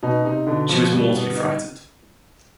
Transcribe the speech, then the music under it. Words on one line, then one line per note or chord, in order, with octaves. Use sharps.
She was mortally frightened.
B2 D#4
C3 D#4
B2 D3
B2 F3
B2 G3
B3
D#4